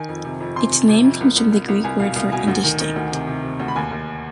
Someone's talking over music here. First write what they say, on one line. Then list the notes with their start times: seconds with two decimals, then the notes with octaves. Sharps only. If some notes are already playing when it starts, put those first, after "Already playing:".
Its name comes from the Greek word for "indistinct".
Already playing: D#3 G#5
0.09 F2
0.25 C3
0.40 F2
0.56 C3 C6
0.73 C3
0.88 C3
1.04 F2
1.21 C2
1.36 C2
1.52 C2
1.68 C2
1.84 C2 G#5
2.00 B2 F5
2.16 C2 F5
2.32 B2 G#5
2.48 D2
2.64 D#3
2.80 D#3
2.96 D2
3.12 C3
3.27 C3
3.43 C3
3.60 D2
3.68 B5
3.75 D#2 G#5
3.92 D#2